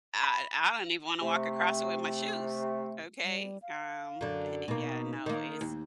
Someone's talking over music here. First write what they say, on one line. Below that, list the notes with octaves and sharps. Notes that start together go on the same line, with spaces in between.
I e I don't even wanna walk across it with my shoes. Okay, um, eh, yeah, no, it's
B5
C3 A3
G3
F5
F#2 D3
B2 A#3 D#4
D#3 A#3
D#2